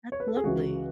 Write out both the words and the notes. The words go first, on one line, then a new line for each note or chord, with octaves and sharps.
That's lovely.
C#5
B4
A4
G#4
C#2 C#3 E3 F#4